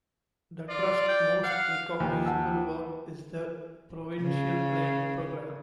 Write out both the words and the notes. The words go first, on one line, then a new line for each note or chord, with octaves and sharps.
The Trust's most recognizable work is the Provincial Plaque Program.
F4 D5
G5
F5 F#5
D#2 G#5
F#5 A5 E6
C#3